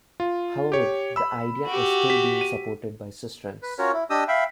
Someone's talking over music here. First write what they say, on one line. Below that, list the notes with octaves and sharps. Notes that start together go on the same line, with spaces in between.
However the idea is still being supported by Sustrans.
F4
G4 C#5
B5 E6
F#4 G4
B6
D#7
B4
C#4 F4 F#4 A#4 C#5
E4
D4 G4 D#5 D#6 E6
E5 F5 G5 B5